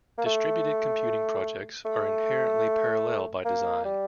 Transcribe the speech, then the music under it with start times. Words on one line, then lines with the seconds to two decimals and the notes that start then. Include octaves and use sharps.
Distributed computing projects are inherently parallel by design.
0.18 A#3
0.26 A3
1.85 A3
3.45 A#3
3.85 G3